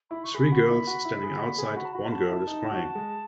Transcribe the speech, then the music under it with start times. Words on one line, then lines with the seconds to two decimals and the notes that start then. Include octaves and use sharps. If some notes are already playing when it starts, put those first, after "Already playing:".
Three girls standing outside, one girl is crying.
0.10 E4 B5
0.24 C#6
0.34 G#4 B5
0.52 F#4
0.70 E4
0.87 F#4
1.05 E4
1.23 G#4
1.41 F#4
1.58 G#4
1.76 F#4 B5
1.85 A5
1.92 F#4 B5
2.12 F#4 A5
2.30 E4
2.47 D#4
2.71 F#4
2.95 G#3